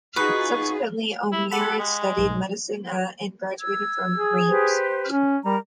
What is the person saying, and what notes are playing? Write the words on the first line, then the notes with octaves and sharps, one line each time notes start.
Subsequently, O'Meara studied medicine at, and graduated from, Rheims.
D#4 F4 F#4 G#4 B4 C#6
E4
G4 A4 F#5 B5
G#3
B1 G#2
E6 G#6
G#4
G4 B4 C5
C#4
G3 A#4 A#5